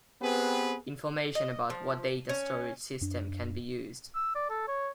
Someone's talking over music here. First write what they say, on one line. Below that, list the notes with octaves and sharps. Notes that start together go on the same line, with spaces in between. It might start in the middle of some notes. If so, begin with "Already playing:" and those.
Information about what data storage system can be used.
B3 C4 G4 G#4 B4
D#5
F3
C#4
F#2 D4
E6
D5
A4
C#5